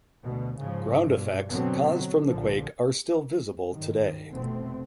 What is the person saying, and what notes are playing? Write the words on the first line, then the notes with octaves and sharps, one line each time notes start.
Ground effects caused from the quake are still visible today.
D2 B2
G#2 C#3 F3
G2 B2
B2 D3 F#3 B3 C4
F#3
B1 A#2 D3 F3
G2 D#3
F1 B2 A3 C4